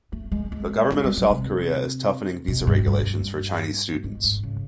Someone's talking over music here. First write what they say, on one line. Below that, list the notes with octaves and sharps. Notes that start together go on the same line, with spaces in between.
The Government of South Korea is toughening visa regulations for Chinese students.
A3
G#3
G#3
G3
G3
F#3
C3
B2
G2
G2
G#2
G#2
C#3